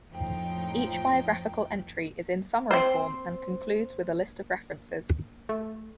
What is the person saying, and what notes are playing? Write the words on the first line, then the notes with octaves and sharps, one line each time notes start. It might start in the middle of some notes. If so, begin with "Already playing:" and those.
Each biographical entry is in summary form and concludes with a list of references.
F2 A2 F3 D#4 G5
C4 C5
A3